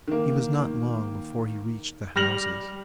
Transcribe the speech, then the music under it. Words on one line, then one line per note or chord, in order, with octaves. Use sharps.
He was not long before he reached the houses.
D#3 A#3
G3 F6 A#6 F7 F#7